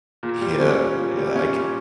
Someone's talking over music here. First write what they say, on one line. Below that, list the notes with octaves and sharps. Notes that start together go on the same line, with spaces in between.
Yeah, yeah. I can
A#2
G3
C#4
A#2
A#2
G3
C#4
A#2